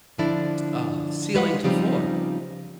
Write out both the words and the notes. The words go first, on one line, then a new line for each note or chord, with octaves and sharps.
uh, ceiling to floor.
D3 F3 D4 E4 D5
G3 G#3 B4 F5 F#5
C#3 F3 G3 C4 D#4 G4